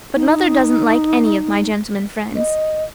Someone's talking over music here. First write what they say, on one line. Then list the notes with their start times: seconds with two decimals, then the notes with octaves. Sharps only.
But mother doesn't like any of my gentlemen friends.
0.15 D#4
2.36 D#5